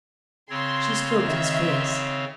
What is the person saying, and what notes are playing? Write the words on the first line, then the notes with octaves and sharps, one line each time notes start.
She stroked his face.
C#3 C4 C#5 C6
D#3 E5 C6